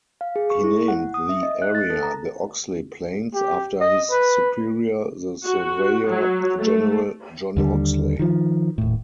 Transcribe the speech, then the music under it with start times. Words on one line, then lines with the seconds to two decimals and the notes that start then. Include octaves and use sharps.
He named the area the Oxley Plains after his superior the surveyor-general, John Oxley.
0.21 F5
0.36 G#4
0.50 C#6
0.64 E4
0.88 F#5
1.14 D#6
1.29 E5
1.43 D#5
1.62 F#6
1.75 A6
1.90 A4
2.03 A#5
3.34 G4
3.81 D#5
4.11 B4
5.44 F#4
6.06 F#3
6.59 A3
7.57 D#2 D3 G3
8.19 D#3 F3
8.78 D#1 A2